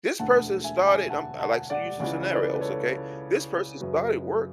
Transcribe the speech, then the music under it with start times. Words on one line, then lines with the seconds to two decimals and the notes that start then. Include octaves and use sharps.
This person started, um, I like some using scenarios, okay? This person started work,
0.19 E1 D2 D3 A3 F#5 A5
0.64 E5 G#5
0.87 E5 G#5
1.09 F#5 A5
1.39 F#5 A5
1.70 D5 F#5
2.00 C#2 C#3 E3 D5 F#5
2.31 B4 D5
2.54 B4
2.61 A4 C#5
3.80 F#2 C#3 F#3 B4